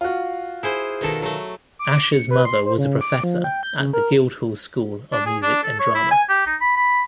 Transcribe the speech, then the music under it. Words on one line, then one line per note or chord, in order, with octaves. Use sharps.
Asher's mother was a professor at the Guildhall School of Music and Drama.
F4 F#4
E4 G#4 C5
B2 D#3 A4
F#3 A3
D6
C#7
B4
C6
C5
C#3
D6
F3
G5
G6
C#3
A#4
D4
G#4
D4
A4
C#5
E4
G#5
G4
D#4
B5
B5